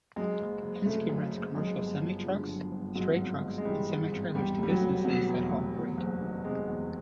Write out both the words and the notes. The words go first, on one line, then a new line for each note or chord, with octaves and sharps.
Penske rents commercial semi-trucks, straight trucks and semi-trailers to businesses that haul freight.
F#2 G#3
F#1
F#1
C#3 A3
F#2
F#1
F#2 G#3
G1
F3
D3
F#2
G1
G#2 F#3
F#3
G#1
G#1
G#3
E3 G3
G#2
G#1
E2 G3
F1 G3
F#3
F1
B2 F#3
E2
F1
E2
F#1
D#3
C3 G#3
E2